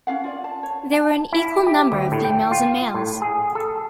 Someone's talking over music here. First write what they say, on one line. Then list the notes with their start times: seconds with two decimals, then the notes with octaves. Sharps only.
There were an equal number of females and males.
0.07 C#4 F4 F5 F#5
0.24 F4 D5
0.44 A5
0.63 C#5
0.93 A5
1.32 E4
1.66 G4
1.92 D2
2.12 A2
2.25 G5
2.51 F4
2.94 A2
3.22 G#4
3.55 A4